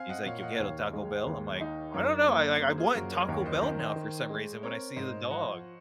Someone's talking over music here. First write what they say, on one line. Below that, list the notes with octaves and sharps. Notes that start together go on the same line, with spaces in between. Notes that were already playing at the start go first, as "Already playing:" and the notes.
He's like, “Yo Quiero Taco Bell?" I'm like, "I don't know." I I I want Taco Bell now for some reason when I see the dog.
Already playing: C4 F5 G#5
D#5 F#5
A#2 C#5 F5
F5
D#5 F#5
F#5
D#2 C#5 F5
G#3
D#2
D#4
F#2 A#4 C#5
A#3
A#3 G#4 C5
F4 G#4
F#2 F#4 A#4
A#4 C#5
D#5
D#2 A#4 C#5
C5 D#5
D#3
C5 D#5
D#3
G#3
C4 A#4 C#5
G#2 C5 D#5
F3 D#5 F#5